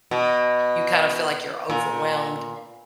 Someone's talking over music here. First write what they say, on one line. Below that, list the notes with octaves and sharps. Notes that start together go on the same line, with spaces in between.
you kind of feel like you're overwhelmed
B2
A#2